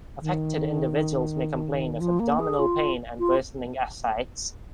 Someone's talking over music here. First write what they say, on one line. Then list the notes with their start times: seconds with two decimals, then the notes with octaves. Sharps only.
Affected individuals may complain of abdominal pain and worsening ascites.
0.22 D#3
2.00 F3
2.19 A#3
2.39 G#4
2.59 F4
3.19 F4